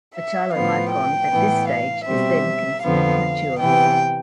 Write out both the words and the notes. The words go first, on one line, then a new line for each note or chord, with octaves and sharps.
The chylomicron at this stage is then considered mature.
E5
A2 F3 B3 F5
G5
A2 E3 B3
F5
B2 G3 C4 E5
F2 D3 F3 B3 F5
C3 E3 B3 G5